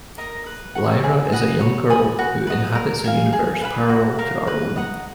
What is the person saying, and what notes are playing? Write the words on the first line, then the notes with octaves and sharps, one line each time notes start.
Lyra is a young girl who inhabits a universe parallel to our own.
A#4 D#5 A#5
B4
F#5 C#6
G#4
D#5 F#5 B5
C#5
G#5 B5 D#6
F#4
B4 D#5
A#4
F5 G#5
G#4
B4 F5 B5
F#4
A#4 F5
B4
D#5 F#5 A#5